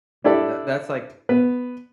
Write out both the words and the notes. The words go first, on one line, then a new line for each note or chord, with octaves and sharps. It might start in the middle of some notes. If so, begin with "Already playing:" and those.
Yeah. That that's like
D4 E4 G4 A4 D5
B3 B4